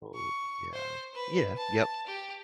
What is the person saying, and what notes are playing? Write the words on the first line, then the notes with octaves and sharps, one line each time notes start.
Oh yeah, yeah, yep,
C#6
C5
B4
A5
G4